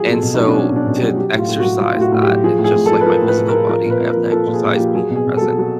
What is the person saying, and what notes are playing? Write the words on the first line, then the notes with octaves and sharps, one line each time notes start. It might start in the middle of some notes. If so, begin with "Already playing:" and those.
And so to exercise that, it's just like my physical body, I have to exercise being present
Already playing: F3 F#3 G#4
B2 A4
B2
D#4
F#3
D4
F#3 C#4
B2
D4
B2
G4
F#3
F#3 G4
A2 F4
A2
F#3 F#4
F#3 F4
A2
F#4
A2
G4
F#3
F3 G#4
A2
G#4
A2
A4
F3
B4
F3 A#4
A2
B4
A2
A#4
F3
F3 A#4
A#2 B4
A#2
A#4
F3
F3 A4
A#2
G#4
A#2
G4
F3
F#3 G#4
B2
G#4
B2
F#3 A4
F#3